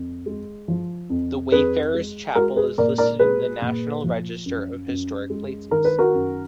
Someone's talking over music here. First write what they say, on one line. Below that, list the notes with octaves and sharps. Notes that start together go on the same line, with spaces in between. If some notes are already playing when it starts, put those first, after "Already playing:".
The Wayfarers Chapel is listed in the National Register of Historic Places.
Already playing: F2
G#3
F3
F2
F2 G#4 B4
G#3
G#3 F#4 A#4
G#4 B4
A#2 A#4 D5
A#4 D5
G#3 G#4 B4
A#2
F3
F#2
F#2
G#3
D#3 A#4
B4
F#4 A#4
F#2